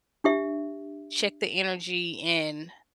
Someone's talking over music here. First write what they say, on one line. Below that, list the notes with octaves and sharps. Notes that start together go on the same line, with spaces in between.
check the energy, and
D4 G4 E5